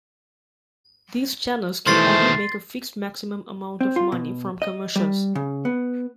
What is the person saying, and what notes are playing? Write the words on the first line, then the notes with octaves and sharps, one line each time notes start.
These channels can only make a fixed maximum amount of money from commercials.
B2 D#3 E3 A3 C5 C6 A6 C7
C4
F4
B2
D#5
G3
C#3
B3